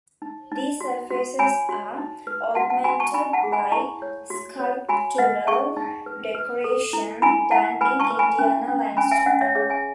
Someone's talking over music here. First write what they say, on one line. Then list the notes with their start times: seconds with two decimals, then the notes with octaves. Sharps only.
These surfaces are augmented by sculptural decoration done in Indiana limestone.
0.22 D#4
0.52 D#4
0.81 F#4
1.10 F#4
1.39 C#5 G#5 B5
1.69 F#4
1.98 D#4
2.27 B4
2.55 F#4 F#5 A5
2.70 F#5 A5
2.84 F#4 G#5 B5
3.00 A5 C#6
3.14 D#4 G#5 B5
3.33 F#5 A5
3.44 G#4
3.52 G#5 B5
3.72 E4 A5 C#6
4.02 C#5
4.30 F#4
4.59 C#5
4.88 F#4 G#5 B5
5.18 B4 D#5 F#5
5.47 G#4 A5 C#6
5.77 D#4
6.06 B4
6.35 B4
6.64 A4
6.93 E4
7.22 E4 G#5 B5
7.51 E4 F#5 A5
7.81 B4 G#5 B5
8.00 A5 C#6
8.10 B4
8.19 G#5 B5
8.39 C#4
8.68 C#4
8.97 C#4 G#5 B5
9.11 E5 G#5
9.26 C#4 D#5 F#5
9.41 C#5 E5
9.55 G#4 C#5 E5
9.70 E5 G#5